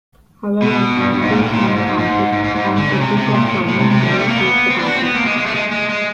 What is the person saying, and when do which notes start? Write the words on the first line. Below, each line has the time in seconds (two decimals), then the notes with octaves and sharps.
However, Drees won the conflict, and a group of prominent members left the party.
0.62 B2
0.96 G2
1.13 G2
1.22 G#2
1.30 A#2
1.42 A2
1.53 A#2
1.64 G#2
1.76 G#2
1.87 G#2
1.98 G#2
2.33 G#2
2.44 G#2
2.56 G#2
2.77 D3
2.88 C#3
3.01 C3
3.18 C3
3.34 A#2
3.46 A2
3.68 A2
3.79 C3
3.91 C3
4.02 D3
4.10 G3
4.19 A3
4.28 A#3
4.36 B3
4.70 C4
4.79 D4
4.87 F#4
4.95 C4
5.04 B3
5.15 A#3
5.26 G#3
5.38 G#3
5.46 A3
5.55 G#3
5.72 G#3
5.89 G#3